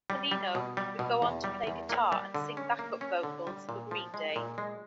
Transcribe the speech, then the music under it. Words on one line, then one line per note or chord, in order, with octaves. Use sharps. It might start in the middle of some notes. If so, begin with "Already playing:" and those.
Pelino would go on to play guitar and sing backup vocals for Green Day.
G3
G3
B2
G3
B2
E2
G3
E2
A#3
G3
D3
C#4
A#3
C#4
D3
G3
A#2
F3
G#3
A#2
G#3